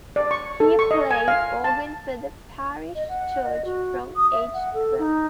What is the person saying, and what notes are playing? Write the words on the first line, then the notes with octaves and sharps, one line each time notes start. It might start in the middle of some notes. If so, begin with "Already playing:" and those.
He played organ for the parish church from age twelve.
D5
C#6
A4
C#6
D#5
G#5
F5
A5
D#5
F#5
D#5
F#4
D#6
E5
F#5
A4
D#4